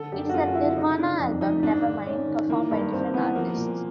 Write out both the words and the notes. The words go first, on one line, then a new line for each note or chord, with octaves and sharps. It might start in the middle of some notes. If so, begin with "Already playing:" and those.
It is the Nirvana album "Nevermind", performed by different artists.
Already playing: D3 A4
F#2 G4
F#4
F#2 F4
D3 E4
C#3 D#4
C#3 D4
F2 D#4
F2 D#4
G#2 D4
D#3
D#3 C#4
D#3
E3 A#3
G2
G2 C4
E3 B3
F3 A#3
A#2